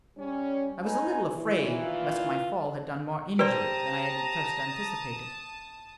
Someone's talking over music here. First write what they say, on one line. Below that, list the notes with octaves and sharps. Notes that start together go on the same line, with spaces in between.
I was a little afraid lest my fall had done more injury than I had at first anticipated.
G3 C#4
D#4 B4 G#5
A#2 D#3 E3
F4
G4 B4 C5 D5 A5 A#5 D#6